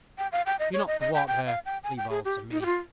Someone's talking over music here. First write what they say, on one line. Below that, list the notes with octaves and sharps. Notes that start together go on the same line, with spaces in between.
Do not thwart her; leave all to me.
G5
F5
G5
D#5
C#5
D#5
D#5
G5
G5
F5
G5
G#5
G5
G#4
G4
D#4
G4
F4